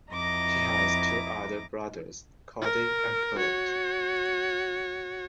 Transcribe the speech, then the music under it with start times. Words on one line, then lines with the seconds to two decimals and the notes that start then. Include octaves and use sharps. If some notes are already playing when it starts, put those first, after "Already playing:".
He has two other brothers, Cody and Colt.
0.12 F2 E4 D#5 A#5 D6 A#6
2.62 A#4
3.36 F#4 C#5